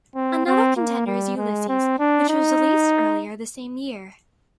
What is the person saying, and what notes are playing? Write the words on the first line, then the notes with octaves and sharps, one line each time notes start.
Another contender is "Ulysses", which was released earlier the same year.
C4
C4
A#3
G3
G#3
C4
D4
D#4